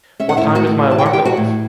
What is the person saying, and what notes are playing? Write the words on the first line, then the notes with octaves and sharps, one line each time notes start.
What time does my alarm go off?
C#4 E5
F#5
E4 E5
A2
F#4 F#5
A2
E3 A5
G5
F#5
E3 G4 G5
F#4 F#5
A2